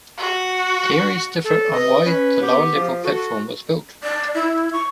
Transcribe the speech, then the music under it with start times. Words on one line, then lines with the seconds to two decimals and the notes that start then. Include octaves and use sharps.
Theories differ on why the lower level platform was built.
0.17 F#4
1.44 A4
1.73 B4 D#5
2.06 C#4 B4
2.41 B3 G4
2.75 F3
3.04 F#4 A4
4.03 D5
4.35 E4
4.73 C#6